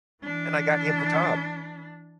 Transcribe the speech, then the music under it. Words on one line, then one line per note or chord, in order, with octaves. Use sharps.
and I got him the job.
E3 D4